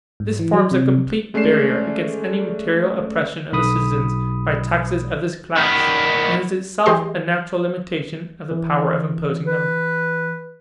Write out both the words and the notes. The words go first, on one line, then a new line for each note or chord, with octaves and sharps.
This forms a complete barrier against any material oppression of the citizens by taxes of this class, and is itself a natural limitation of the power of imposing them.
G#2
E3
F#3
C3
G#3 A3 C#4 D5 C7 E7
B1 B5 D#6
D#3 B3
E3 G4 G#4 D#5 C6
E3
B4